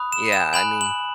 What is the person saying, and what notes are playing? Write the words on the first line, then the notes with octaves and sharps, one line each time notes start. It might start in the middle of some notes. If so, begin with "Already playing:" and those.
Yeah, I mean
Already playing: B5 D#6 F#6
E7
E7
G#5 B5 F#6 F#7
F#7